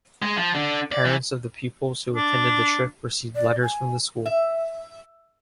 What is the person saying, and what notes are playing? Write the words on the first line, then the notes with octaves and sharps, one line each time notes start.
Parents of the pupils who attended the trip received letters from the school.
G#3
F3
D3
D5
E3
D4
D5
G#5
E5